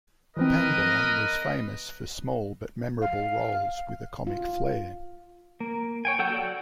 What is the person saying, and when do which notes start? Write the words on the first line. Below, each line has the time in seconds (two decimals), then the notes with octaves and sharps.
Pangborn was famous for small, but memorable roles, with a comic flair.
0.37 E3 F3 C4 A#4 B4 D#5
3.02 F5
4.27 F4
5.60 A#3
6.05 C#5 G5 G#5
6.19 F#3 A4 F#5 G5 G6
6.31 F#4 A4 D5 F#5